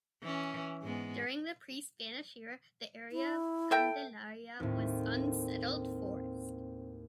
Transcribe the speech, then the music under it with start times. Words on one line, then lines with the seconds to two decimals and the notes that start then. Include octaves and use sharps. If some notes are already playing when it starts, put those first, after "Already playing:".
During the pre-Spanish era, the area of Candelaria was unsettled forest.
0.22 E3 C#4
0.82 G#2 G#3 B3
3.12 E4
3.71 A4 E5 G5
4.60 D#2 A2 C4